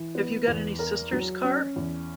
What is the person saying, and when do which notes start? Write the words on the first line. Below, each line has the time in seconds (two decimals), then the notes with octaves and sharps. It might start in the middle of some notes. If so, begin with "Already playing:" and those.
Have you got any sisters, Carr?
Already playing: E3
0.15 B3
0.48 E2
0.79 A#4
1.12 F#3
1.44 C#4
1.76 E2